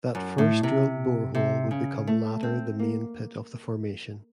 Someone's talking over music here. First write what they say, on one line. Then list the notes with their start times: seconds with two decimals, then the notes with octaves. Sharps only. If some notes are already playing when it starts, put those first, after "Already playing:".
That first drilled borehole would become latter the main pit of the Formation.
0.15 F#2
0.38 A2
0.63 C3
1.35 C3
1.71 C#3
2.07 A3
2.43 C4
2.79 A#3